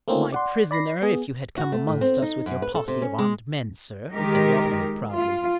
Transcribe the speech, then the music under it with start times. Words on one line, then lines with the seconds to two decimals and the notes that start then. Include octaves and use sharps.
"My prisoner if you had come amongst us with your posse of armed men, sir," said Robin Hood proudly.
0.08 A3 A#3 C4 C#4 D#4 F4
0.32 D5 F#5 C6
0.71 D5 B5 A#6 C7
1.02 B3 G#4
1.58 F#4
1.72 A3
1.88 A2
2.01 C4
2.22 D#4
2.46 F#2
2.62 B4
2.75 A4
2.88 C3
3.02 C#4
3.19 G#3
4.14 D#3 G#3 D#4 G4 A#4
5.11 F4